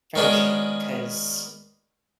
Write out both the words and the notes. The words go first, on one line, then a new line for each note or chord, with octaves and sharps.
friendship because
D#3 G#3 B3 C#4 D4 F#4